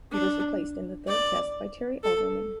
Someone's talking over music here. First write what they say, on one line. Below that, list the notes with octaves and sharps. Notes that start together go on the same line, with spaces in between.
He was replaced in the third test by Terry Alderman.
D4
D5
A4